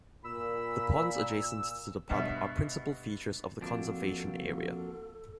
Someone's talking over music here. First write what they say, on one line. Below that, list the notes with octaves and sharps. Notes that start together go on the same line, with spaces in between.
The ponds adjacent to the Pub are principal features of the Conservation Area.
A#2 B5 E6
G2 B2 B3 E5
F2 A#3 D4 F4 F#4 A4